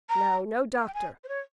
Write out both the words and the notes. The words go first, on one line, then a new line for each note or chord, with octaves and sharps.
No--no doctor.
A#5
F5
G5
G#5
C5
C#5